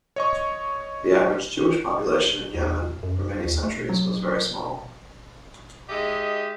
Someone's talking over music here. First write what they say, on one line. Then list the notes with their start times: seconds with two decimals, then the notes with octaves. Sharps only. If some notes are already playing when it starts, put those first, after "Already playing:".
The average Jewish population in Yemen for many centuries was very small.
0.16 C#5 D#5 C#6
2.55 E2
3.03 F#2
3.45 D#2
3.63 A3
3.89 F#3
5.89 G#3 D#4 G4 D#5 E5